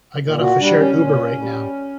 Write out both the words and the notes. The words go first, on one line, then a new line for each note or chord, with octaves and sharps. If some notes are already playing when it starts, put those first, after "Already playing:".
I got off a shared Uber right now.
A#2
F#4
G3 D4
C#4
A#2
G3